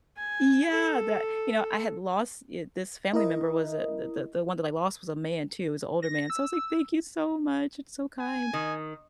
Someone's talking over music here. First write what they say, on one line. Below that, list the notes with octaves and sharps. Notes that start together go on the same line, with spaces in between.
Yeah, that, you know, I had lost, uh, this family member was a the the the one that I lost was a man too, he was an older man, so I was, like, "Thank you so much. It's so kind."
G#5
A4
E4 A#4 D#5
A#6
E6
G#5
D#3